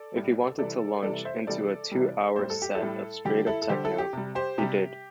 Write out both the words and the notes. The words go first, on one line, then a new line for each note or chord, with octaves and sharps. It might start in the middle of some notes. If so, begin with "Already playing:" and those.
If he wanted to launch into a two-hour set of straight-up techno, he did.
Already playing: A4 D5
A2 G3
C3 E3 G3 A4 D5
C3 E3 G3 A4 D5
C5 E5
C3 E3 G3 A4 D5
C3 E3 G3
A2 G3 C5
A4
G4
E4 A4
A2 G3
D3 G3 G4
E4 A4
A4
D3 G3 G4 C5
E4 A4
G4
C3 G3
G4 C5
C3 G3 G4